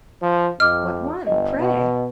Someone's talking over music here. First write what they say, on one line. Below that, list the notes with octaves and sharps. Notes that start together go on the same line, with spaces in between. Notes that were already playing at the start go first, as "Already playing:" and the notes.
"What one, pray?"
F3
F2 D#5 D6 F6
G1 D#5
B2